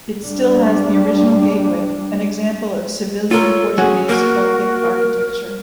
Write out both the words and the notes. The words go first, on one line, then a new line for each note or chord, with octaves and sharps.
It still has the original gateway, an example of Sevillian-Portuguese Gothic architecture.
G3 D4
F4 A4 A#4 C#5
F#2 C#4 F#4 G#4
A#3 F#4 A#4